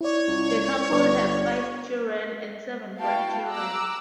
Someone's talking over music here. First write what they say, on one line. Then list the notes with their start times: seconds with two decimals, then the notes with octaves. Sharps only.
The couple have five children and seven grandchildren.
0.01 E4 C#5 D5
0.28 C#2
0.91 G1 B4 D5 C#6
2.98 B3 E4 F#4 F5 G5 A5
3.49 A#5 D6 E6 F#6